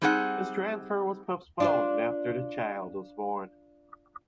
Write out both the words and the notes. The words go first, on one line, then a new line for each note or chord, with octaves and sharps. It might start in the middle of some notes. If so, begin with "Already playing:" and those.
His transfer was postponed after the child was born.
G3 C4 D#4 G#4 B4 F#5
D4 F4 C5